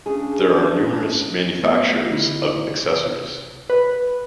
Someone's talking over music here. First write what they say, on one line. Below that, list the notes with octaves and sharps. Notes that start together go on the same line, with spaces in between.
There are numerous manufactures of accessories.
C#3 D4 G#4
A3 B3
D3 D#4 E4
C3
B4